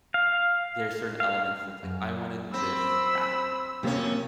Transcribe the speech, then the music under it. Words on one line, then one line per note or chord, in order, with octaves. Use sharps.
there's certain elements, that's, like, "I wanna do this that way.
F5
F5
F#2
C4 B5 E6
F2 C3 A#3 C#4